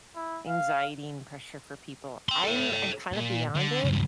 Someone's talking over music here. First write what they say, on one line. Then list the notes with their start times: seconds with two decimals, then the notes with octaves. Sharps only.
anxiety and pressure for people. I'm I'm kinda beyond it,
0.16 E4
0.47 F5
2.29 G5 C6
2.44 A4 C#5
3.12 A#2
3.55 D3
3.84 C#2 G2